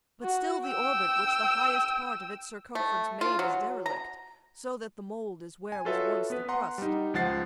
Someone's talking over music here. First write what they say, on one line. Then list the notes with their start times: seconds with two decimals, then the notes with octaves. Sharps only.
But still the orbit, which the highest part Of its circumference made, is derelict, So that the mould is where was once the crust.
0.23 F#4
0.65 G5 E6
2.75 A3
3.21 F4
3.39 F#3
3.86 A#5
5.72 G#5
5.85 F4 F#4 A4 B4 C#5 E5
6.30 B3 B4
6.49 F#5 A#5 C6
6.78 G3 D#4
7.14 C#2 F3 F#5 A6 C7